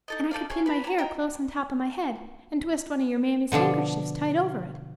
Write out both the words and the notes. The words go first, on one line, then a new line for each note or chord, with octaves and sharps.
And I could pin my hair close on top of my head and twist one of your mammy's handkerchiefs tight over it.
D#4 A4 D#5
D#4 A4 D5 F5
G#4 A4 C#5 F5
B4 B5
C#5 A#5
D#5 G5 A#5
B2 D3 F3 D4